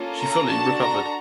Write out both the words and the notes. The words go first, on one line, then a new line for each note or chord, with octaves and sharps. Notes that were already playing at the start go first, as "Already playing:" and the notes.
She fully recovered.
Already playing: A#3 C#4 F4 A4
A#5
D4 F#4 A4 A5
A#5